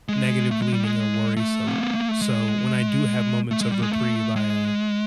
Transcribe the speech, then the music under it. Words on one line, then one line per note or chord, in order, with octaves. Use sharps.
negative leaning or worrisome. So when I do have moments of reprieve, I, uh,
G#3
A3
G#3
G3
G#3
A3
C4
B3
A#3
A3
G#3
A3
G#3
G3
G#3
A3
G#3